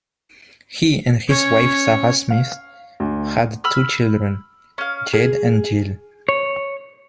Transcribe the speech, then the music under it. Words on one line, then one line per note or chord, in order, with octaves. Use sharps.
He and his wife, Sara Smith, had two children, Jed and Jill.
C#4 C#5
F5
D2
B5 E6 F6
C#4 F5
G#4
C#5